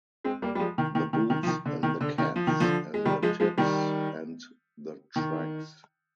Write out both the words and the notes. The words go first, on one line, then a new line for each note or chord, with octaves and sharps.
The boots and the cats and the tips and the tracks.
G#3 C4
G3 A#3
G3
F3 G#3
D#3
D#3
D#3
D#3
F3
D#3
D3
D#3
D3
D#3
F3
D#3
D3 F3
G#3
D#3 G3
F3 G#3
F3 G#3
D#3 G3
D#3